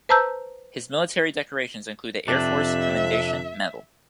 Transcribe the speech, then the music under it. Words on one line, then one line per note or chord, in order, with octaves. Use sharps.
His military decorations include the Air Force Commendation Medal.
B4 C5 A5 A#5 E6 G6
F2 C3 D4 E5